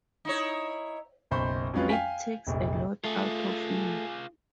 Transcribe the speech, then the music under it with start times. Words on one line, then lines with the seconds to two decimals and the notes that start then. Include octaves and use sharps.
It takes a lot out of me.
0.25 D#4 E4 C#5
1.31 F#1 B1 C5 B5 C#6 G6
1.73 F2 F#3 G#3 C#4 F4 B4
1.89 F5 G5 G#5 B6
2.47 F1 A#1
3.04 A3 F4 G#4